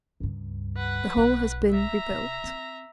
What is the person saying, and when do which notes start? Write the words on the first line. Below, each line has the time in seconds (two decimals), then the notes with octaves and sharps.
The whole has been rebuilt.
0.20 C#2 G2
0.77 B4 F#5
1.17 B1
1.71 E5 A#5
2.10 C3
2.44 C4